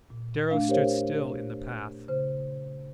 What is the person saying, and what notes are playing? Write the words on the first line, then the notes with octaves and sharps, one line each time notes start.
Darrow stood still in the path.
A#2
A3 D4 F5
G4 A#4 C5 C#5 F5
C#3 C5